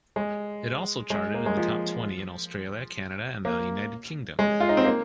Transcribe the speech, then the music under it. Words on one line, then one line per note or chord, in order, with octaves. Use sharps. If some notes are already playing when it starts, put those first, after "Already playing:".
It also charted in the top twenty in Australia, Canada, and the United Kingdom.
G#3
G#3
A#3
G#3
F3
A#3
G#3
F4
D#4
C4
A#3